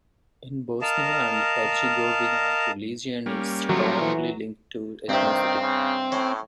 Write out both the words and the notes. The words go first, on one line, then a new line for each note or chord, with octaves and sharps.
In Bosnia and Herzegovina religion is strongly linked to ethnicity.
A#4 D#5 F5 A5
G3 A#3 C#4
F3 F#3 A3
E3
G2 C3 D#3 C4
C#3
A2 C#4